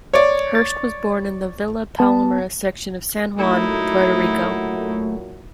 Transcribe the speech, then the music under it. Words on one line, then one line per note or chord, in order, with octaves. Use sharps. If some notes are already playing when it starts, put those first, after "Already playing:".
Hurst was born in the Villa Palmera section of San Juan, Puerto Rico.
C#5 D5
A6
B3 A5
A#2 F#3 A3 D#4 E4 F#4